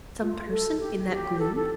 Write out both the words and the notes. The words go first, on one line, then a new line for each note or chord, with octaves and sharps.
Some person in that gloom?
F4
A4
G4
G4
A4
A4